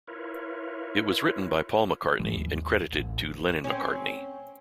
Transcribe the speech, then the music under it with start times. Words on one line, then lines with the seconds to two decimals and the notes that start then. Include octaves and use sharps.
It was written by Paul McCartney and credited to Lennon-McCartney.
0.08 E4 F4 A#4 B4 C#5
2.19 G#2 E3 G#3
2.32 D#2
2.93 A1
3.64 C4 C#4